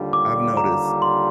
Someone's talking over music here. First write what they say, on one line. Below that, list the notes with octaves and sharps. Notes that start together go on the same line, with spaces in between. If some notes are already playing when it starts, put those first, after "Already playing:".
I've noticed
Already playing: D#2 D3 G3 D4 F4
D6
A#5
C6